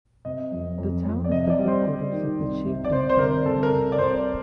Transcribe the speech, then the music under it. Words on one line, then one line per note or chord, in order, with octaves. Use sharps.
The town is the headquarters of the chiefdom bearing their name.
C3 D#5
F2
F2
F2
D5
C3 D#5
D5
G3
C5
G3
D#3
C2
C3
D5
C2 C5
C5
C3 A#4
C2 A4
A#4
C3
D5
C2 C5